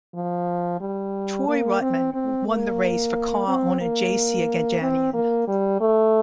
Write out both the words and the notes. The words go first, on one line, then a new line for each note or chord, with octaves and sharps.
Troy Ruttman won the race for car owner J. C. Agajanian.
F3
G3
A#3
C4
C4
A#3
C4
A#3
C4
A#3
G3
A3